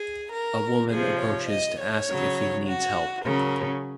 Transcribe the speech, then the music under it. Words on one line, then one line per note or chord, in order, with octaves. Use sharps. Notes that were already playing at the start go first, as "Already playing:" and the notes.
A woman approaches to ask if he needs help.
Already playing: G#4
A#4
C3 F3 G#4
C#5
D#5
C#5
C#3 F#3
F#4
C#3 F#3 A#4